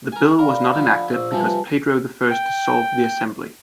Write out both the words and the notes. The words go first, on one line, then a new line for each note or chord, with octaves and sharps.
The bill was not enacted because Pedro the First dissolved the Assembly.
A#4 G#5
A#4 D5 F5 B5
D3 F3
A#1 C5 E6
C3 F3 G3 B4 G#5 A5
G5